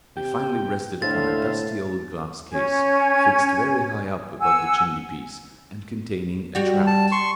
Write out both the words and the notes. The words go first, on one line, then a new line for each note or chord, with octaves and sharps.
They finally rested upon a dusty old glass-case, fixed very high up above the chimney-piece, and containing a trout.
C3 G4 G5
A2 D3 C5 E5 F5 A6
C#4 G#5 G#6
F#5 G#5 E6
G3 F#4
A5
C6 C#6